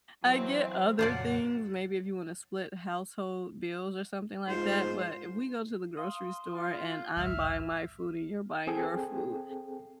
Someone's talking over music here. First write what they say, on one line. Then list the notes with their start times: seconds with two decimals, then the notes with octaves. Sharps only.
I get other things maybe if you wanna split household bills or something like that but if we go to the grocery store and I'm buying my food and you're buying your food,
0.23 E2 F#3 C4
0.99 F2 A#2 C#3 F#3 F4 C5 D5 F#5
4.48 G#2 F4 C5
5.97 F5 C6 D#6
6.54 F4
7.17 A1 D2 G#2 E5 F6
8.67 C4 G#4 A4 G5